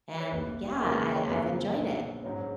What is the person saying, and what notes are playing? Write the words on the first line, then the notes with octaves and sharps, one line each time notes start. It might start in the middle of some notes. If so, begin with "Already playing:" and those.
And yeah, I I've enjoyed it.
C#5
F1 D#2 D#3 B4
D#2 C#3 G#3 A#4
B4
B4
C#5
F2 C#3 F#3 A#3 B4
A#1 A#2 F#3 B3
G#2 F#3 C#4